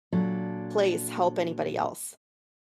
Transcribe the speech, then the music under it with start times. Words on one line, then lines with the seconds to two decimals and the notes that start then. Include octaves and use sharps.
place, help anybody else.
0.13 A#2 F#3 D4 A4